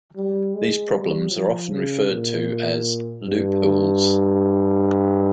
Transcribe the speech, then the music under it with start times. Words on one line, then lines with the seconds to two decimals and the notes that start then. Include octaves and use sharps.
These problems are often referred to as "loopholes".
0.16 G3
0.54 G#3
0.94 G3
1.32 F3
1.71 C#3
2.10 A#2
3.27 G2